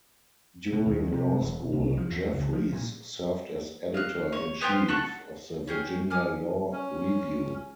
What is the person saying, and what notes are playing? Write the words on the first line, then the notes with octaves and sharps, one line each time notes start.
During law school, Jeffries served as editor-in-chief of the Virginia Law Review.
B2
D#2
C3
E1
C2
F3
E2
C#2
F3
A#2
F5 F#6
C#5
B3 F4 G4 C5
A4 F#5 C#6
C#4 G#4 G5 F6
G#5 D6 D#6 F6
C#4